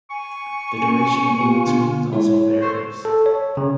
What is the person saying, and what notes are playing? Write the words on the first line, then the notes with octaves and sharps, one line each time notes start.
The duration of mood swings also varies.
G#5 C#6
C#4
B3 F4 G4
D3
G#3 E4 C#5
A4 C5 C#6
A4
C#5
C#3